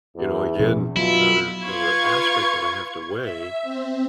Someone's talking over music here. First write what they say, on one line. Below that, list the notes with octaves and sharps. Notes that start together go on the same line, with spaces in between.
you know, again, another another aspect that I have to weigh
E2
B2 F3 C#4
B2 F#3 E4 F4
F4 B4 F5 C#6 G#6
E5
C4